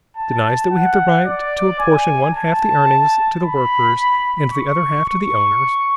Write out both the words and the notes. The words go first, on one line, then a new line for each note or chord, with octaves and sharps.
Denies that we have the right to apportion one-half the earnings to the workers and the other half to the owners.
A5
F#5
D5
G#5
A5
B5
C#6
C#6